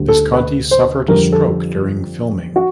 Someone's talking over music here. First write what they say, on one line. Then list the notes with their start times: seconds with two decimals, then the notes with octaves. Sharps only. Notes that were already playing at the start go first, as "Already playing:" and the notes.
Visconti suffered a stroke during filming.
Already playing: D2 D3 G3
0.09 A4
0.33 B4
0.71 C5
1.08 F2 D3 G3 A#4
1.32 A4
2.56 F#4